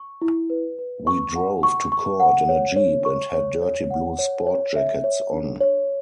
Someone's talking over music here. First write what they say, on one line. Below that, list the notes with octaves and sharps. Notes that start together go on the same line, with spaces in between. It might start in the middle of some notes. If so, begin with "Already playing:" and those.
We drove to court in a Jeep and had dirty blue sport jackets on.
Already playing: C#6
E4
B4
B4
C#6
F#5
C#6
C#6
F#5
C#5
C#5
C#6
C#5
C#5
F#5
C#5
C#5
E5
C#5
D4
C#5